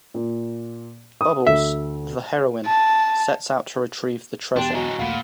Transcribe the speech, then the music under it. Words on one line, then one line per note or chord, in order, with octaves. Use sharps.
Bubbles, the heroine, sets out to retrieve the treasure.
A#2
D#6
D2 E5
A5
E2 B2 D4 G4 G5 C6
D3 F#3 F#4 D#5 G#5 A#5
A#1 D#2 A#2 A3 F5 F#5 B5